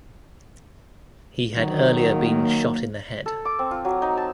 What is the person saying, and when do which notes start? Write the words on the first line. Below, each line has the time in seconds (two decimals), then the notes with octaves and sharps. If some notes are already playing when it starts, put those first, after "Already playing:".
He had earlier been shot in the head.
1.56 D#3 F#3
2.04 A#3
3.26 A4
3.45 D6
3.59 C4
3.71 F4
3.85 F#3
4.02 D#4
4.17 A5